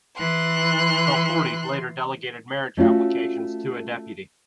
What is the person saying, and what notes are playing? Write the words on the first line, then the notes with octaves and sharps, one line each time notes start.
Belforti later delegated marriage applications to a deputy.
E3 C6 F#6
A3 C#4 F4 F#4